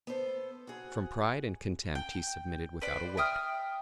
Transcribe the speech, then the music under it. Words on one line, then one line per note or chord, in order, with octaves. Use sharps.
From pride and contempt he submitted without a word.
B3 A4 C5
F#4 G#4
G5
B4 C5 D5
E5 G5 D#6 F6